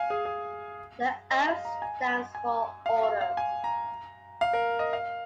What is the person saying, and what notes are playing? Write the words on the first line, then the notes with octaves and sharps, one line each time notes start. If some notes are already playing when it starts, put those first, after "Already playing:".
The "O" stands for order.
Already playing: F5 G#5
G#4
G#4
D#5
F5
A#5
G#5
G#5
F5
F5
F5
G#5
A#5
F5
A#4
D#5
F5